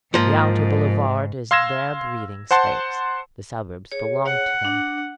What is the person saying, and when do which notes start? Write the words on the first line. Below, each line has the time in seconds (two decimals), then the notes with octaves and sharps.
The outer boulevard is their breathing space; the suburbs belong to them.
0.14 G#2 F3 A#3
1.51 F5 C6 E6 G#6 A#6 E7
2.51 C5 F#5 A5 C6
3.92 G#4 C#5
4.25 F#5
4.65 D4